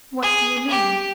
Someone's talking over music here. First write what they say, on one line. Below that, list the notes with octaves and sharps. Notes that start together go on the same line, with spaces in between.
"What do you mean?"
G#4
G4